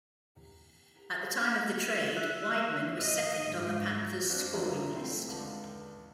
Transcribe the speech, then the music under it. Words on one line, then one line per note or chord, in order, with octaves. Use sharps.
At the time of the trade, Wideman was second on the Panthers' scoring list.
E5 F#6
D#5
G#2
F2 D4 F#4 C5 D5 F#6
G2 D3 F3 E5 A5 A#5
A3 C4 E4 F4
C#2 D3 A5